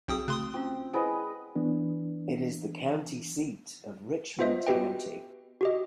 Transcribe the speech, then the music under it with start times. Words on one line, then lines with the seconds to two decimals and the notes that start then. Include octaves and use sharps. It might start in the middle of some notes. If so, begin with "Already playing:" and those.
It is the county seat of Richmond County.
0.08 B1 C4 F#4 G#4 G5 D#6
0.28 C#3 A3 C6 D#6
0.54 C4 C#4 F4
0.93 E4 G#4 B4 C5 D#5 F#5
1.55 E3 B3 D4
4.39 B3 F4 B4 C5 D#5 E5
4.67 B3 F#4 G4 B4 D#5 G5
5.61 F#4 G4 D#5